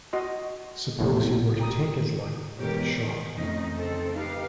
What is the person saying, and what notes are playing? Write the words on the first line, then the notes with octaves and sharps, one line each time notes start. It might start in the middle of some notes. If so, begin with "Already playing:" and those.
Suppose he were to take his luck with a shot?
F#4 D#5 C6
A#1 E2 A2
G4 A#5 D#6
G#2 B2 E3 G4 A#4 C#5
D#3
F2 C3 D#3 A3 C#4 D#4
C#3 C4 A4
D#4 G4 B4 F5